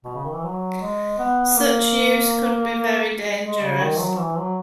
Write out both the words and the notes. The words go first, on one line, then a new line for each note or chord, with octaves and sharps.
Such use could be very dangerous.
B2
C#3
D#3
E3
F#3
G#3
B3
A#3
G#3
C#3
D#3
F#3
E3
F#3